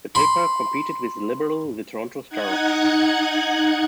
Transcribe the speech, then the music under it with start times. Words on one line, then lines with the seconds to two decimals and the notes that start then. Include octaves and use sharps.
The paper competed with the liberal "The Toronto Star".
0.15 B5 C6
2.29 D#4 F#5 F#6 G#6